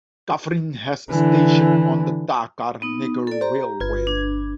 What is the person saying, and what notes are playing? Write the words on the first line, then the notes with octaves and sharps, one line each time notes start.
Kaffrine has a station on the Dakar-Niger Railway.
D3 E3
B3 D#4 D#6
A4 D5
G4 C5 A#5
G1 F4 B4 G#6
D4